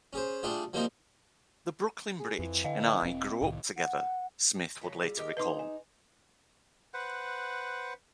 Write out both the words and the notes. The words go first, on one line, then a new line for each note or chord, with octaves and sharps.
"The Brooklyn Bridge and I grew up together," Smith would later recall.
C#4 G#4 C5
G3 A3 D4 F4 G#4
F3 G3 A#3 C4 D#4 F4
G#4
F2 E3
D3 D#5 F5
E1 C4
C2 A2 D#3
F#5
F#2 C#3 A3
G3 F4 G#4
G4 A#4 D#5
D#4 G#4 B4 D#5 C6
G#5
B4 C5 F#5